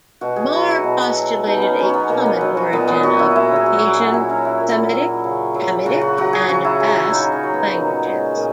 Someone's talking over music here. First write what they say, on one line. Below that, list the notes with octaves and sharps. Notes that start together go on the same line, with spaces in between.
Marr postulated a common origin of Caucasian, Semitic-Hamitic, and Basque languages.
B2 F#4
G#4
F#3 F#4
E4
B2
F#3
B2 D#4
B3 C#4
F#3 C#4
B3 C#4
B2 A#3
B3
F#3
F#4
A#2 B3
B3
F#3 F#4
E4
A#2 E4
G#4
F#3
F#4
A#2 F#4
E4
F#3 C#4
E4
A#2
F#3
C#3
F#3
C#3 F#4
F#4
F#3 F#4
G#4
C#3 F#4
E4
F#3 G#4
F#4
C#3 D#4
C#4
F#3
B3
A#2
G#3
A#2